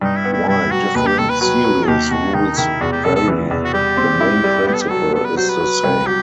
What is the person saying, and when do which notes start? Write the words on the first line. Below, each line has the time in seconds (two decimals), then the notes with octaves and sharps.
While different series rules vary, the main principle is the same.
0.01 G2 D#4
0.17 E4
0.25 B3
0.33 E4
0.48 G2 E4
0.71 F#3 F#4
0.95 D#2 B4
1.06 G4
1.19 D#2 A4
1.29 B4
1.41 F#3 B4
1.64 F#3
1.88 D#2 G4
2.11 D#2 F#4
2.34 D#3 D#4
2.57 D#3 E4
2.81 E2 F#4
2.92 G4
3.04 E2 A4
3.15 A4
3.28 E3
3.51 E2
3.64 F#4
3.73 G3 G4
3.97 C4
4.21 E4
4.44 G3
4.67 B3 G4
4.74 A4
4.81 G4
4.90 F#3 A4
5.14 B3 A4
5.25 B4
5.37 F#3 C5
5.49 B4
5.60 F#3
5.84 C2
6.07 F#3 G4